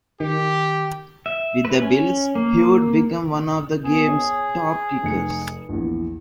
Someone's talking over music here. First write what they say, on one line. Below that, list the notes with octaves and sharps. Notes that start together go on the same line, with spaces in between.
With the Bills, he would become one of the game's top kickers.
D#3 G4
E5
B4
C#4
A#3
B3 G#4
C#5
F1 C#7
A#1 E2